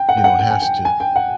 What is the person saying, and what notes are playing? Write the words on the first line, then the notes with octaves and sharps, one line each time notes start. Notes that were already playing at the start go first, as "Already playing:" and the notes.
you know, has to
Already playing: G5
F#5
G5
F#5
G5
G#5
G5
G#5
G5
F#5